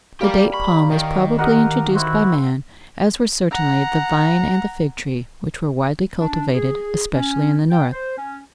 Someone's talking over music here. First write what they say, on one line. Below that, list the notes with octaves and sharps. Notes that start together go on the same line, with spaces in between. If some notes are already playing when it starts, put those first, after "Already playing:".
The date palm was probably introduced by man, as were certainly the vine and the fig tree, which were widely cultivated, especially in the north.
G3 A#3 G4 D5
B5 C#6
D#3
G4 A#4 D#5 F#5
E4 F#4 C5 E5 F#5
F#5 A#5
D4
G#4
C#4
G5
C5
C#4